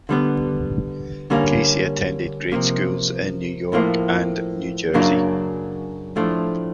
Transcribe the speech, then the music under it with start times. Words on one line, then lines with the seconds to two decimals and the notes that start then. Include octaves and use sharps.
Kacy attended grade schools in New York and New Jersey.
0.09 D3 G3 B3
1.30 D3 G3 A#3 C#4
2.52 C3 F3 A#3
3.73 A2 F3 A#3
4.94 F#2 C#3 F#3 A#3 D4
6.16 A2 F3 A3 D4